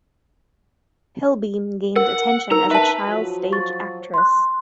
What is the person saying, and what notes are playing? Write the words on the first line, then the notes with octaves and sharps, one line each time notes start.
Pilbeam gained attention as a child stage actress.
A#4 F#5
D#4 A#4 A#5
B4 E5 A5
F3 F#3
C#6 A6
C6 F#6